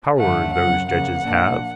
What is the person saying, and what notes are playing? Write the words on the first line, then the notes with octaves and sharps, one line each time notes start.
Power those judges have.
G2 D3 F3 A3 F#5
F#2 C#3 F#3 F#5
C#3 F3 A#3 F#5
A#2 F3 A#3 D4